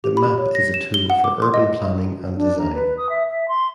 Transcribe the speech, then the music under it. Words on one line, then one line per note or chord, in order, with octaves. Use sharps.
The map is a tool for urban planning and design.
G4
B5
C#5
A#6
E7
G7
F#5
D6
C6
D#5
D4
A#5
B4
D#6
E5
E5
C6